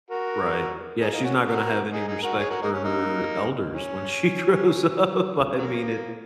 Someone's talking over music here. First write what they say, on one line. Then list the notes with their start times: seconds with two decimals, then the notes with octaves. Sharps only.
Right. Yeah, she's not gonna have any respect for her elders when she grows up. I mean, it
0.11 F#4 A#4
1.01 D#4 G#4
1.12 A#3 D#4
1.24 C#4 F#4
1.47 F#4 A#4
1.93 D#4 G#4
2.07 D#4 G#4
2.23 F#4 A#4
2.38 G#4 C#5
2.50 F#4 A#4
2.62 A#3 D#4
2.73 C#4
2.84 A#3 D#4
3.76 C#4
5.58 C#3 F#3 A#3